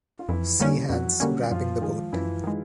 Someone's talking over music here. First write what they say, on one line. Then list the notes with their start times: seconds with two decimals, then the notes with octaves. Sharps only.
Sea hands grabbing the boat.
0.19 F4
0.28 F2 E3 E4
0.60 D3 G3 A#3 C#4
0.89 F2 F#3 F#4
1.20 D3 G3 A#3 C#4
1.51 F#2 F3 F4
1.81 D#3 G#3
2.13 F#2 E3 E4
2.43 D#3 G#3